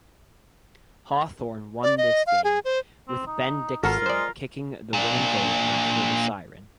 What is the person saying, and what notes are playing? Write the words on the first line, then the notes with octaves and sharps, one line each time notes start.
Hawthorn won this game, with Ben Dixon kicking the winning goal after the siren.
D5
D#5
F5
G#4
C5
C4
D#4
G#1 F4 F#4 A4 A#4
G#3 C5 D5
A#2 D4